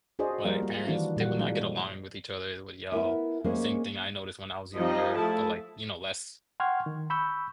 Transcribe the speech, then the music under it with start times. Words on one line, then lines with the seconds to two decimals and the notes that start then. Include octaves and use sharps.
like, parents, they would not get along with each other, they would yell, same thing I noticed when I was younger, but, like, you know, less
0.19 D4 F#4 G#4 C5 D5 D#5
0.44 F3 G3 A#3 A#4
0.62 A#3
0.87 D#3 E3 D4 E4 F#4
1.16 A#2 G3 A#3 F#4 F#5
1.37 F3 G#3 D4
2.92 B3 E4 A#4 E5
3.44 G#3 A#3 C#4 G#4 A#4 C5
4.75 F3 G3 C4 D#4 D#5
5.17 A3 E4 G#4 A5
6.60 F#5 G5 C6 C#6 F6 G#6
6.86 D#3
7.10 B5 C#6 E6 G6